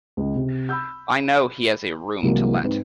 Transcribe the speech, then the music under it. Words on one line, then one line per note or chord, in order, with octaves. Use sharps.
I know he has a room to let.
C#2
C3
B5 E6 G6
C2 C3 E3 F#3 G#3 A#3
G#2 C4 B4